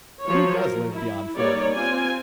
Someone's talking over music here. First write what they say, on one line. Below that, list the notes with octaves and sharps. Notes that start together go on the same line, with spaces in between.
Who does live beyond forty?
F3 F#3 C#5
A#4
E4
G3 A#3 D#4 C#5 D5
C4 F4 G#5